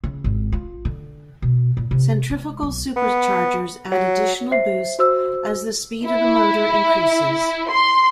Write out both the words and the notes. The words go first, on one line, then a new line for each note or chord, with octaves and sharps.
Centrifugal superchargers add additional boost as the speed of the motor increases.
C#3
G#1
F4
D3
B2
A#2
C3
G#3
B1
B3
F#3
C5 E5 C7
F#4 C5 E6
E4
C6